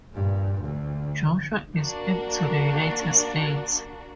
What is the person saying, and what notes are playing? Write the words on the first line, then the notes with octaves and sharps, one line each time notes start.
Joshua escaped to the United States.
G2 A#2
D2
A#3 D4 F#4